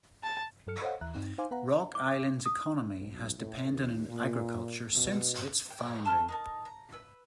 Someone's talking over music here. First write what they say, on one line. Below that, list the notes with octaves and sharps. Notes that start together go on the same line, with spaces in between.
Rock Island's economy has depended on agriculture since its founding.
A5
G2 F#3 A4 F6 C#7
A4 C5 C#5 D#5 F5 F#5
D#2 E3 E5 A#5 F#6
G2 C4 D#4
D#4 C5 F5 G#5 C6 D6
B3 B4 F5 F#5 A#5
D6
D#6
B1
A2
D#2
A#2
B2
G5
A3 A5 C6 F6
D#4 A#4 A5
A#5
B4 E6